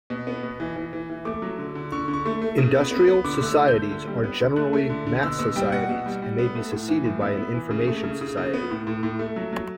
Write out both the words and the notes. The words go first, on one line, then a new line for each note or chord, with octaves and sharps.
Industrial societies are generally mass societies, and may be succeeded by an Information society.
B2
B3
B2
E3
E3
E3
E3
A3 D6
F#3
D3
D3
D3 C#6
D3
C#6
A3
A3
C#3
B3
B3
B3
D3 D6
A3 F#6
E6
D3
G6
A3
D3
G3
B3
D3
A3 F#6
A3
D3
D3
B2 E6
B2 E6
G3 G5
B2 F#5
B2
G3
G3
B3
A3
A2
E3
A2
B3 E5
B3
E3
C#3
A3
C#3
C#3
C#3
B3
A2
A2
A2
A3
F#3
F#3